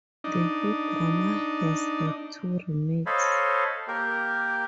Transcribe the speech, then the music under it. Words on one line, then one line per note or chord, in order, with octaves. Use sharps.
The hit drama has had two remakes.
D4 D#4
A4 C5 C#5 D#5 F5 B5
A#3 G4 A#4